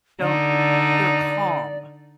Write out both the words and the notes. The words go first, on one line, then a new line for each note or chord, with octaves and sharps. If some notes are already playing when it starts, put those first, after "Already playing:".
don't y y you're calm.
D3 D#4 D5